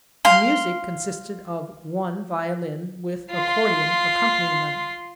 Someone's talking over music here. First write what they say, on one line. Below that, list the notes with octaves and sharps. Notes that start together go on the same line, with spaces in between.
The music consisted of one violin with accordion accompaniment.
F5 C6
F4 C6